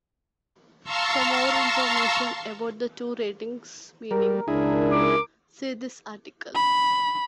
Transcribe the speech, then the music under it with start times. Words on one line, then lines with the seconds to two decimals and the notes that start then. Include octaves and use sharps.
For more information about the two ratings' meaning, see this article.
0.84 F5 A5 A#5 C6 C#6 E6
4.11 G3 A#4
4.48 C#2 D4 E4 G#4
4.92 D6
6.55 B5